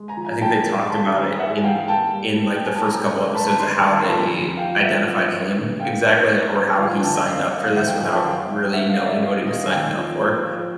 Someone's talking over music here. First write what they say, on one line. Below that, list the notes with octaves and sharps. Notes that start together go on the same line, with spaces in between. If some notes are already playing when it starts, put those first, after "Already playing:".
I think they talked about it in in, like, the first couple episodes of how they identified him exactly or how he signed up for this without really knowing what he was signing up for.
Already playing: G#3
G#5 A#5
F3
G#5 A#5
B1 G5 A5
G#3
G3 A5 B5
D#3 G#5 A#5
G3 E5 F#5
G#5
E3 F5 G5
A#3 G5 A5
G3
A#3
G5
F#3 G#5
A5
C#2 G#5 A#5
G#3
G#3 A5 B5
A5 B5
D#3 A#5 C6
A#5 C6
G#1 A5 B5
A#5 C6
F3 A5 B5
G#5 A#5
F2
F3 F5 G5
A3 E5 F#5
F3
F#3
D3
A#3 F5 G5
F#3
A#3
F#3
F3 F5 G5
F#5 G#5
D3 G5 A5
D#5 F5
F#2 D#5 F5
F#3 F#5
D#5 F5
F2 E5 F#5
F5 G5
F3 F#5 G#5
G5 A5
F#2 F5 G5
G#3
A#3 E5 F#5
D#5 F5
F#3
D5 E5
G3 D#5 F5
D#3 D#5 F5
G#5
D#2 F5 G5
F3
A#3
F3